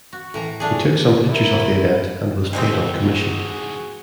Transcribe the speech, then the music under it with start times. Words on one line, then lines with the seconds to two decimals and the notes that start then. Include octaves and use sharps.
He took some pictures of the event, and was paid on commission.
0.13 F#4
0.34 A2 E3 A#5
0.60 F#3 A3 D4 G#4
1.30 E4 A#4
2.53 D2 B2 E3 G#3 C4 G4
3.00 G#2 E3 F#4 G#4